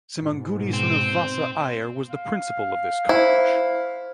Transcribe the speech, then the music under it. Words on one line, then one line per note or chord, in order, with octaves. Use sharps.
Semmangudi Srinivasa Iyer was the principal of this college.
G#2 B2
C4
F5
E4 C5